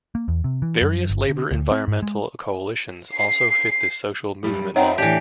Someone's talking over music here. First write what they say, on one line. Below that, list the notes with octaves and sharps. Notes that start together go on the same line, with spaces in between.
Various labour-environmental coalitions also fit this social movement model.
A#3
E2
C3
E3
F#2
G1
D3
D2
C4
G#2
G#3
C7
F#2 G3
C4 D#4 C#5 D#5 E5 F#5 G5
A2 E3 D4 G4